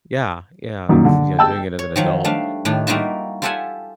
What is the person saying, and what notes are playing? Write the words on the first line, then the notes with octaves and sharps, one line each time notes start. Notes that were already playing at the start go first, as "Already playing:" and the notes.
Yeah. Yeah, it's you know, doing it as an adult,
F#2 A#2 D#3
D3
G5 A5 E6
C#5
D#3 F3 F#3
G3 A3 D4 F5
A2 D#3 A3 D4
G3 A#3 D#4 F4 F#4 E5
F4 G4 A4 E5 F#5 G#5